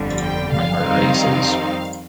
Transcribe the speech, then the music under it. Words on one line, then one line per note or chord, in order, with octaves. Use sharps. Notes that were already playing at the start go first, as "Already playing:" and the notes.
My heart races.
Already playing: G1 F2 D3 G3
G5
F5
F2 D#3 G3 C4 D#4